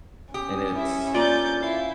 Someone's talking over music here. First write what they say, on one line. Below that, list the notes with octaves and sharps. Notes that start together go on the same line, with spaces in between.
And it's
C#4 G4 D#6
E4 E5
D3 A#3 F4 D5 G6 A6
E4 F5